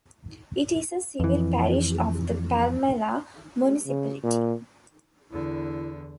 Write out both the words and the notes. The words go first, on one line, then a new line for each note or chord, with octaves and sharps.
It is a civil parish of the Palmela Municipality.
F2 E3
C#3
A#2
E2 D3 E4